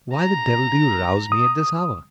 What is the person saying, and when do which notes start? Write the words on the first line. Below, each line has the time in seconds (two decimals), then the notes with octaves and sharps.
"Why the devil do you rouse me at this hour?"
0.14 A#5
1.32 D#6